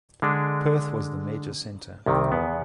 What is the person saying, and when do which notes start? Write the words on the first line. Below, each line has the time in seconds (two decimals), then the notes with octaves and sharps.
Perth was the major centre.
0.22 D3 G#3 D4
2.06 C2 C3 D#3
2.32 E2 B3